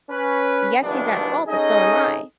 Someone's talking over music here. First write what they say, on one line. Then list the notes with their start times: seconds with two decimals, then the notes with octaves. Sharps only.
Yes, he's at fault, but so am I,
0.10 C#4 B4
0.82 F#1 E2 G2 D#3 B3 D4
1.48 C#4 D#4 G#4 A4 D#5